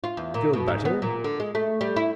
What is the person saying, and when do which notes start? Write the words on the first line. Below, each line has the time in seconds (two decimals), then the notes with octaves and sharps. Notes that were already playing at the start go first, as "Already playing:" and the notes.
Feel better.
0.04 F4
0.17 E2
0.34 A#2
0.53 B2
0.68 G#2
0.85 B3
1.02 A#2
1.24 D3
1.40 G#3
1.55 A3
1.81 G3
1.96 E4